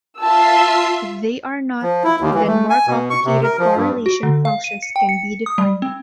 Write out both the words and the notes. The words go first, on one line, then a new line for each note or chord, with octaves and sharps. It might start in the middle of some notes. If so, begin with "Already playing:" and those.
If they are not, then more complicated correlation functions can be defined.
F4 E5 A5 C6 E6
F3
E4
D#2
E3
A3
G#5
B2
C#6
C3
A#4
F3
G2
F#4
D3
F5
D#7
C#7
G5
C#7
D#6
G3
C4